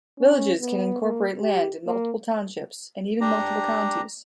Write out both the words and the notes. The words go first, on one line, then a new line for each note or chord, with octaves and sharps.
Villages can incorporate land in multiple townships and even multiple counties.
C#4
B3
A#3
G4
A#3
D4 G4 A#5